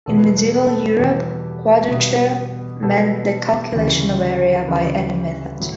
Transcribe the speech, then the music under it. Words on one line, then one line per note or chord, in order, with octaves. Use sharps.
In medieval Europe, quadrature meant the calculation of area by any method.
E2 B2 G3 B3 A4
B4
A4
B4
A4
B4
A4
B4
A4
E2 B2 G3 B3 G4
B2 G3 B3
B2 G3 B3 A4
D2 C#3 E3 G3
D2 C#3 E3 G3 B4
A2 F#3